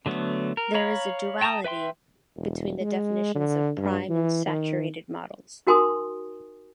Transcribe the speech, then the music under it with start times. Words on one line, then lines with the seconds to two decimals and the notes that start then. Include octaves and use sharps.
There is a duality between the definitions of prime and saturated models.
0.06 D3 F#3 A3 B3
0.57 A#4
0.74 C#5 F5 A#5 B5
1.41 G5 A5 A#5 C#6 D#6
1.64 B4 E5 G5 C6
2.36 E1
2.80 G#3
3.35 D3
3.77 G2
4.09 E3
4.46 D#3
5.67 D#4 F#4 A#4 G#5 C6 D#6